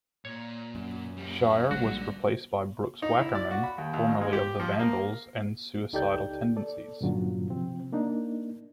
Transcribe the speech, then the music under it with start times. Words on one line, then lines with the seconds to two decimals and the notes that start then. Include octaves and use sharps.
Schayer was replaced by Brooks Wackerman, formerly of The Vandals and Suicidal Tendencies.
0.25 A#2 C#5
0.75 F#2
1.17 G3 A#3
1.71 A#1 G#2 D3 G3 F#4 A4
3.02 D#4
3.18 E4
3.35 D5
3.51 F#4
3.63 B5
3.78 D#2
3.93 D#2
4.08 A1
4.21 G#3
4.33 G4
4.60 F3
4.79 A#3
5.93 C#2 D#4 G4 A4 D5 G6
6.57 A4 D5
7.01 G2 A#2 D3 F#3 C#4 F4
7.50 C3 F3 C4
7.93 A#3 D4 D#4